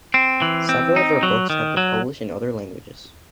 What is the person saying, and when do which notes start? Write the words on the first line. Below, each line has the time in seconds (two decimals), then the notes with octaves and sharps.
Several of her books have been published in other languages.
0.14 C4
0.42 E3
0.69 C4
0.96 D#4
1.23 F#3
1.50 D#3
1.77 F#3